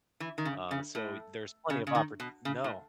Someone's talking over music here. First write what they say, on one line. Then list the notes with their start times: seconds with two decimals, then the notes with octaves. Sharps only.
Um, so there's plenty of opport No.
0.20 E3
0.38 D#3
0.45 C#3
0.71 C#3
0.95 A2
1.70 C#3
1.87 C#3
1.95 D#3
2.20 B2
2.45 C#3
2.64 A2